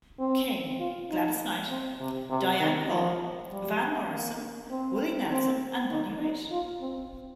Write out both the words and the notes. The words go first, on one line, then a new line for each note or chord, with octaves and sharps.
King, Gladys Knight, Diana Krall, Van Morrison, Willie Nelson and Bonnie Raitt.
C4
F4
D#4
C4
C3
C3
D#3
F3
G3
A#3
C4
C4
D#4
D#4
F4
C4